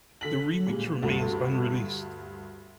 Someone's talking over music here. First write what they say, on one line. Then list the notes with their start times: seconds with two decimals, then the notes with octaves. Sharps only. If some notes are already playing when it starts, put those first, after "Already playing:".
The remix remains unreleased.
0.21 D3 B6 F#7
0.66 A#2 G3 G#3
1.02 D2 G2